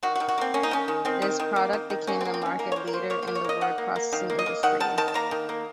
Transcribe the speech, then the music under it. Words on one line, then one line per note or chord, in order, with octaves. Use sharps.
This product became the market leader in the word processing industry.
D#3 F#4
F#4
D#3
F#4
A#3 C4
A#3 C#4
D#4
D#3 C#4
D#3
D#3 C4
D#3
D#3
A#3
D#3
D#3
A#3 C#4
C4
A#3
C4
D#3 C#4
A#3 A#4
C#5
A#3 C5
A#4
A#3 C5
A#3 C#5
A#3 C5
C#5
A#3 D#5
D#3 F#5
A#3
A#3
D#3 F5
A#3
D#5
A#3
D#3 F#5
D#3 A5
D#3 A5
A5
A#3 A#5
D#3
A#3